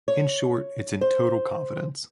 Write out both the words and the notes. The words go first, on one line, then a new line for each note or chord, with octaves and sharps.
In short, it's in total confidence.
C#5
C5